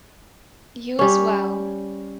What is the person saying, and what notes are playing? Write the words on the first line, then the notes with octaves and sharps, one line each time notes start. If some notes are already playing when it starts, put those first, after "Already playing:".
You as well.
G3 C#4